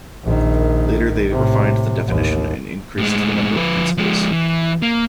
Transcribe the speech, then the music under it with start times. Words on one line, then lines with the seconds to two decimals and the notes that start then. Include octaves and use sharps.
Later they refined the definition and increased the number of principles.
0.24 A#1 D#3
1.31 A2 C3
2.04 A1 D#2
2.97 A2 G#3
3.56 F3 B4
3.98 F3 G#3
4.32 E3
4.82 A#3